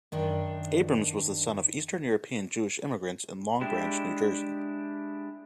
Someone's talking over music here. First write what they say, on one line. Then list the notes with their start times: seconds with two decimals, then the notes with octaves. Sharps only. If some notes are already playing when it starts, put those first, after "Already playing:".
Abrams was the son of Eastern European Jewish immigrants in Long Branch, New Jersey.
0.12 F#2 D#3 D4
3.61 G#3 D4 E4 G4